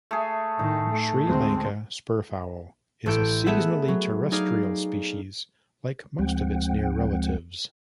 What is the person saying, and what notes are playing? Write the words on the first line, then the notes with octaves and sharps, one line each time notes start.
Sri Lanka spurfowl is a seasonally terrestrial species, like most of its near relatives.
A3 G#4
A2 D#3 D#4
A3
D2 G#3 C4
A1 A2 A4 G6 D7
A3 B3 G#4 E5 F#5
F#3
D#4 G#4 D5 F5
D2 F3 G#3 C4 F#5 G5